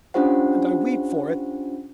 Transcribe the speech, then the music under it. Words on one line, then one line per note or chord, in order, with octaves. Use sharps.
And I weep for it!
C#4 D4 F4 G4 C5 F#5